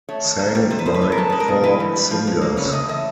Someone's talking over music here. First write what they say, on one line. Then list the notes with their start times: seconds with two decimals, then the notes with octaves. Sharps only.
Sang by four singers.
0.09 A3 C#5
0.24 D#3
0.39 A#3
0.55 G3
0.70 C3 C5
0.79 B4
0.86 F2 C5
0.94 B4
1.02 E3
1.12 A#4
1.17 G#3 A4
1.29 G#3 B4
1.40 A#4
1.48 B2
1.63 E3 B4
1.80 G#2
1.96 G3
2.11 F3
2.27 A#2
2.41 A#3
2.57 C#3 C#5
2.73 A3 D#5
2.89 E3 D#5